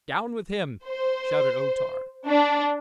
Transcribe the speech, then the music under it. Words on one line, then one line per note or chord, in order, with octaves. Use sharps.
"Down with him!" shouted O-Tar.
C5
D4